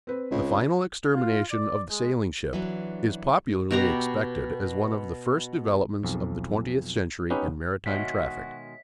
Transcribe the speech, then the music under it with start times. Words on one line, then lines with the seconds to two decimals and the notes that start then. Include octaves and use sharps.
The final extermination of the sailing ship is popularly expected as one of the first developments of the twentieth century in maritime traffic.
0.07 C4 B4
0.31 C#2
1.13 F4
1.51 D5
1.90 G#3
2.53 E3 F#3 D4
3.71 B2 G4 A#5
6.03 B1 F2
7.30 B3 C#4 D#4 G4 B4
7.86 B2 D#3 G#3 F#4 C#5 D#5 E5 B6